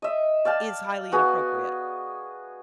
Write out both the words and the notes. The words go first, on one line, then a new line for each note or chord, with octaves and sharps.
is highly inappropriate.
D#5 E5
D5 F5 G5 A5
B3 F#4 G#4